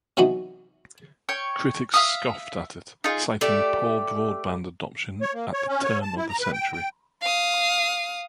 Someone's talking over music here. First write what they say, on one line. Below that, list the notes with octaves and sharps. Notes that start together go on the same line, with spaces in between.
Critics scoffed at it, citing poor broadband adoption at the turn of the century.
C3 E3 F#3 B3 D#4 F#4
C#5 G5 C#6
E5 F5 D#6
D#4 F4 G#4
A3 G4 D5
C#5
A#3
C#5
C#4
C#5
A5
E4
A#5
B4
G5
G5
F5 D#6